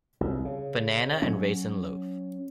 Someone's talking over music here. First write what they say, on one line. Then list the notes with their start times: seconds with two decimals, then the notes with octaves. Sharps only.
Banana and raisin loaf.
0.21 C2
0.45 C#3
1.22 F#3 C#4